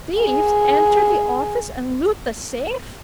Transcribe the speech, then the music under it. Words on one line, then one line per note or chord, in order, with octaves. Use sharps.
Thieves enter the office and loot the safe!
G#4